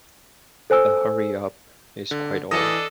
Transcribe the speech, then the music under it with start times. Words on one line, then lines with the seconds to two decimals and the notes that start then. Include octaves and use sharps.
The hurry-up is quite old.
0.70 A4 C5 G#5 E6
2.11 D3
2.51 E3 D4 A4 D#5 D#6 A#6